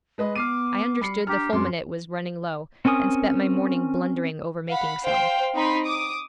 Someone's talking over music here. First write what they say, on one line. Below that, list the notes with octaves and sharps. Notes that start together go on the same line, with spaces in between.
I understood the fulminate was running low, and spent my morning blundering over making some.
G#3 B4 D#5
B3 D6 F6 C7 D#7
G3 B5 C7 C#7
D4 G4 A#5 F6
F#2 C4 C6 D6
C4 C#4 A#4 G#5 D#6
F5 F#5 B5
C5 F5 G5
C4 D#4 B5 C6
D6 D#6